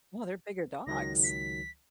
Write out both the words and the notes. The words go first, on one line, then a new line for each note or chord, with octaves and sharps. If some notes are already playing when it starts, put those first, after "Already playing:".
Wow, they're bigger dogs.
C#2 D#3 F#3 A#6
B6